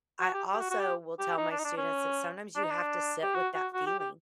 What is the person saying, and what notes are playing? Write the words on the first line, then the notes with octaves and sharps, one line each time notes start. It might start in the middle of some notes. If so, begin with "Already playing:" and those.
I also will tell my students that sometimes you have to sit with that feeling.
F#4
G4
G4
F#4
F#4
G4
G4
D#4
D4
D#4
D4
C#4
D4
D#4
D4
G4
F#4
F#4
F#4
G4
G4